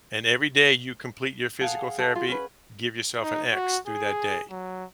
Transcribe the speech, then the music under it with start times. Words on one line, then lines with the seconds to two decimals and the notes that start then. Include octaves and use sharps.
and every day you complete your physical therapy, give yourself an X through that day.
1.61 G#4 A4 F5 F#5
1.99 A4
2.15 F4
2.28 C#4 B4
3.22 D#4
3.53 F#4
3.87 G#4
4.51 F#3